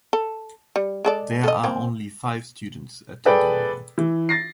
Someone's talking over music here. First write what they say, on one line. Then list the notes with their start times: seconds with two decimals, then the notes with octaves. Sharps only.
There are only five students attending now.
0.13 A4
0.76 G3
1.05 G#3 A4 D5
1.44 A4 D#5
1.64 A#3 C4
3.25 G#4 A4 B4 D5 G5
3.98 E3
4.29 A6 A#6 C7